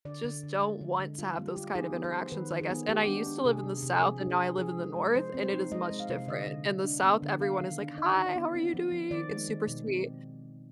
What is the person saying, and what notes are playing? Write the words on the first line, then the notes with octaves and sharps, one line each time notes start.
just don't want to have those kind of interactions, I guess, and I used to live in the South, and now I live in the North, and it is much different. In the South, everyone is like, "Hi, how are you doing?" and super sweet,
D3 D5
D3
D3
G#3
D3
D3
G3 F4
G3
G4
F4
D#4 G#4
B3
C5
F3
D#3 B4
D#3
G#4
B3
G#3 G4
D4
D4
C3 G#4
C3
C3
F3 G#4
D4
G#4
F3
F3 G#4
G#3
G#3
F3 C5
C4
C5
D#4
G#3 D#5
G#3
F5
C3
D3 D#5
D3
D3
D4
B3
D3
D4 F5
D#3
D4
D#4 D#5
D#4
D5
B3
C4
F3
F3
D#3 D5
G#3
D#3
B2
C4